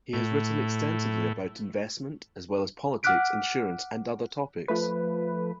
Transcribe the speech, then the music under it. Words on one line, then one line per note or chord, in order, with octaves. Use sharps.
He has written extensively about investment, as well as politics, insurance, and other topics.
A2
F#5 D6 F6 F#6 B6 D7
F3 A3 B4